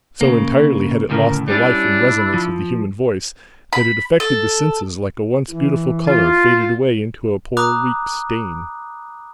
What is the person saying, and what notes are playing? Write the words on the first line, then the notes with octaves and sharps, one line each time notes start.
So entirely had it lost the life and resonance of the human voice, that it affected the senses like a once beautiful colour faded away into a poor weak stain.
C#3 A#3
D2 A2 C#3 A#4
G3 C#4 D4 E4 D5
F3
B5
A4
E3
F4
A#5 B5 D6 D#6 F#6